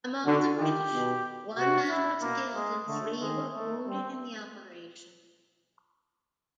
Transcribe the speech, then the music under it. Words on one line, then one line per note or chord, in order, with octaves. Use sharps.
Among the British, one man was killed and three were wounded in the operation.
D3 F#4
D#3 G4
B2
C3 F#4
E4
B2 A#3
G#3
D3 A3
D#3 G#3
A3
G3 C4